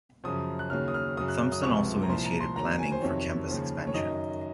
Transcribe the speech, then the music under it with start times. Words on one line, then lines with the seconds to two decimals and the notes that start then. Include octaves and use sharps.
Thompson also initiated planning for campus expansion.
0.24 F#2 C#3 F3 D#6
0.59 F#6
0.70 D#2 C#3 F#3 F6
0.88 D#6
0.94 F6
1.17 F#2 C#3 F#3 D#6
1.28 F#6
1.52 D#6
1.63 C#2 C3 F3 C#6
2.02 A#5
2.09 C2 A#2 F3 C6
2.24 A#5
2.40 C6
2.55 D#2 D#3 F#3 A#5
2.79 G#5
2.92 C5
3.02 F2 C3 D#3 F#3 C#5
3.49 D#2 C#3 F3
3.87 C#5
3.94 F#2 D#3 F#3 D#5